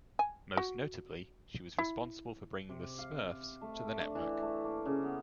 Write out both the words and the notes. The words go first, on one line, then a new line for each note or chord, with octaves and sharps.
Most notably, she was responsible for bringing the "Smurfs" to the network.
G#5
F#4
E4
C3
F5
A3
D4
E3
A3
A#3
C#3
B3